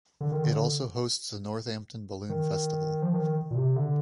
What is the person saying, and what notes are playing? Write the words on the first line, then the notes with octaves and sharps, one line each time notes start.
It also hosts the Northampton Balloon Festival.
D3
D#3
D3
D#3
F3
D#3
A#2
C3
D3